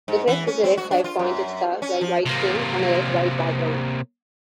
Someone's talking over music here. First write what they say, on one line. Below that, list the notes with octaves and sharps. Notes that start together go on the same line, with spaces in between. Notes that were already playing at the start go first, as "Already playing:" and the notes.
The crest is a red five-pointed star, white framed, on a red-white background.
G#2
E3
C#4
C4
F#4
D4
F4
F#2
C#4
F3
C3 A#3